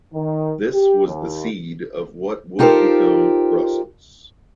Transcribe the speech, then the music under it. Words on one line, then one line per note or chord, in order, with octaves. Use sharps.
This was the seed of what would become Brussels.
D#3
G4
D#2
D#4 F4 G4 A4 A#4 C5